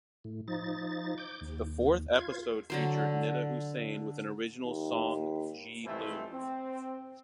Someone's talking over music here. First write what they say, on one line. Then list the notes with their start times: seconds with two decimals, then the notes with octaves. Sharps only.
The fourth episode featured Nida Hussain with an original song Jee Loon.
0.24 A2
0.48 F3 D#4 A6
1.18 D6 G6
1.41 D#2
2.14 F4 G#6
2.70 D3 F#3 C5
4.64 D#2
5.85 C2 F2 E3 A3 C5
6.31 C4